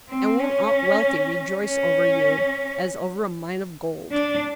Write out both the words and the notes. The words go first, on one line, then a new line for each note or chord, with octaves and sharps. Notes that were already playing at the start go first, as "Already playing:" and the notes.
"And won't Aunt Wealthy rejoice over you as over a mine of gold!"
C4
C#4
C#4
D4